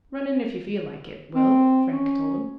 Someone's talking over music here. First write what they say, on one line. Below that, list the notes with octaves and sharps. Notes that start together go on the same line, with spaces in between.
"Run in, if you feel like it, Will," Frank told him.
C4
C#4